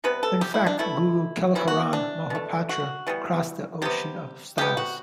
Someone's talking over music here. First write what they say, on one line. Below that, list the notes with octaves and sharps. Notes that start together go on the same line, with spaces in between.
In fact, Guru Kelucharan Mohapatra crossed the ocean of styles.
C3 G3 B3 B4
A4
G4
E4
D4
B2 A3 E4
C3 E3 G3 E4
F#4
D4
B2 A3
F#4
E3 G3 B3
C3 G3 B3 G4
C3 F#3 B3 G4
F#4